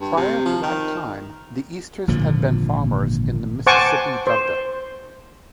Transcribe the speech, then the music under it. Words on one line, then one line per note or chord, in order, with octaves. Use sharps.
Prior to that time, the Easters had been farmers in the Mississippi Delta.
G2
C3
F3
D#3
G#1 A#2 D3 F3
C5 F#5 G#5 A5 C#6 D6
C5